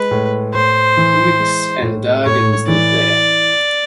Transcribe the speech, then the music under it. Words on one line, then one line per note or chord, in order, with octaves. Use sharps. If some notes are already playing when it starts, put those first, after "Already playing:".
Kumyks and Dargins live there.
Already playing: G#3 B4
A2
A2 C5
E3
G#3
A2
A2 C#5
E3 D5